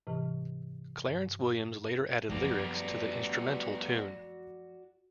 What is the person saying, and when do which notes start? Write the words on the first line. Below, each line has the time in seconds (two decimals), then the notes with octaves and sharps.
Clarence Williams later added lyrics to the instrumental tune.
0.07 G#2 C3 E3
1.06 G2
2.30 F#2 F3 G3 B3 F#4 D5